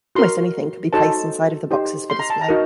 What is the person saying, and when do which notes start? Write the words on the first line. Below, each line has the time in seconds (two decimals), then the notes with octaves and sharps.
Almost anything can be placed inside of the boxes for display.
0.15 F#4 A#4 C6
0.93 D#4 F#4 A4 C5 A5
1.71 D#4 G4 C5
2.10 C6
2.19 A#5
2.30 A5
2.41 A#5
2.49 D#4 F#4 A#4